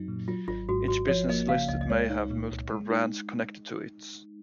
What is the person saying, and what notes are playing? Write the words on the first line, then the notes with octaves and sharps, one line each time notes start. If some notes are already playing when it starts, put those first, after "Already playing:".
Each business listed may have multiple brands connected to it.
Already playing: F#2 F#3 C4 D#4
A#2
F#3 F4
G#1 F4
G#2 F#4
G#1 F#4
F3 C#5
A#3 D#5
C#3 F5
C#2 D#5
D#5
G#3 C#5
D#4
A#2
C2
G#3
D#4